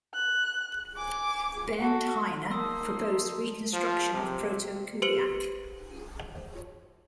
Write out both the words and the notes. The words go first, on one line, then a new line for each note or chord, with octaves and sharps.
Bernd Heine proposed a reconstruction of Proto-Kuliak.
F#6
G#5 D6
F#4 A4
A#3 D#4 A5 C6 D#6 E6
F3
C3
G4 B4 C5 C#7 F#7